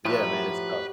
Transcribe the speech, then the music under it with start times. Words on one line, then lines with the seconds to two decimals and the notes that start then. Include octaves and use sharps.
yeah, man, it's tough.
0.05 A2 F3 F#4 G4 A#4 B4